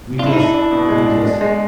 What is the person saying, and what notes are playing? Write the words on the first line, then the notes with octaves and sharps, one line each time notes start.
we just we just
D4 F4
E4
D#4
D4 E4
D4
B2
G#3
D4
D4
G#3